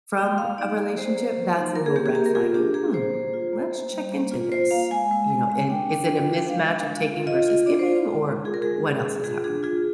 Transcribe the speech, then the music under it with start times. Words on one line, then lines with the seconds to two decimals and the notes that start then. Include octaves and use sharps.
from a relationship, that's a little red flagging, "Hmm, let's check into this," you know, and is it a mismatch of taking versus giving, or what else is happening?
0.18 A#3 G5
0.38 A#3 F5
0.58 D#4 D5
0.77 A#3
0.98 A#3 C5
1.16 A#3
1.36 A#3
1.56 D#4
1.75 A#3 A#4
1.86 G#4
1.96 A#3 G4
2.06 G#4
2.15 A#3 G4
2.26 A#4
2.35 F4 G#4
2.54 D4 G4
2.74 A#3 G#4
2.94 A#3 C5
3.14 A#3
3.34 F4
3.53 A#3
3.73 A#3
3.93 G3
4.12 A#3
4.32 F4
4.52 F4 C5
4.71 A#3 F5
4.91 G#3 G#5
5.11 G#3
5.30 G#3
5.49 G#3
5.69 D4 G5
5.90 D4
6.09 F4
6.28 D4
6.49 G#3 F5
6.68 D4
6.88 G#3
7.08 F4
7.27 F4 D#5
7.47 F4
7.66 D4 D5
7.79 C5
7.86 F4
8.06 G#3
8.26 G#3
8.45 F4 G#4
8.54 A#4
8.62 G#3 G#4
8.84 G#3
9.04 G#3
9.24 F4 G#4
9.44 D4 G#4
9.63 F4 G#4